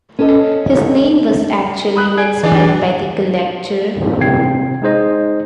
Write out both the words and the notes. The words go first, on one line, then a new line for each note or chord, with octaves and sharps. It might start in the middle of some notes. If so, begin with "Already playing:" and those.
His name was actually mis-spelt by the collector.
C#4 A4 D#5
B5 D#6 F#6
G#4 G#6 D7
E3 D4 G#4 D5
C3 C4 G5 G#6 C7
G#3 D#4 G#4 C5 D#5